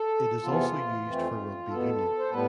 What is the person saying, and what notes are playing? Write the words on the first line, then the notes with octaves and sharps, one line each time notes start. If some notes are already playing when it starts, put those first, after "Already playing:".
It is also used for rugby union.
Already playing: A4
E2 C3 E3 B3 F4
F2 E3 A3 C4
E2 B2 B3 A4
C5
A2 G3 B3 B4